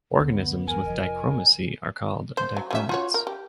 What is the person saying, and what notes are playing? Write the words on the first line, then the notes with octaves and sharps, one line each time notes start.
Organisms with dichromacy are called dichromats.
D2 B3
E2 A#4 G#5
F1 F3 D#5
C5
F#3
F#3 C#4 E5
F4 F#4 C#5
A#4
G4